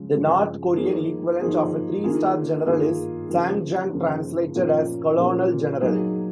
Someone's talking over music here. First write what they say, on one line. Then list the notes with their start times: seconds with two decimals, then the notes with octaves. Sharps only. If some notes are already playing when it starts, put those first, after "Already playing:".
The North Korean equivalent of a three-star general is "sangjang", translated as "colonel general".
Already playing: C#3 F3 G#3
0.14 C#3 F3 G#3
0.77 F3 A#3 D#4 G#4
1.40 F3 A#3 D#4 G#4
2.04 D#3 A#3 F4 G#4
2.65 D#3 A#3 F4 G#4
3.29 C#3 F3 A#3
3.92 C#3 F3 A#3
4.55 A#2 F3 A#3 C#4 F4
5.18 A#2 F3 A#3 C#4 F4
5.81 F#3 A#3 D#4 G#4